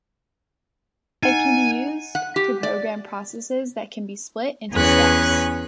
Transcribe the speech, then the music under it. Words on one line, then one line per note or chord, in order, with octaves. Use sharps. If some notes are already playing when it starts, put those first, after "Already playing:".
It can be used to program processes that can be split into steps.
D#4 F#5 G#5
F#5
G4
D5
E2 C#4 G#4 B4 C#5 F#6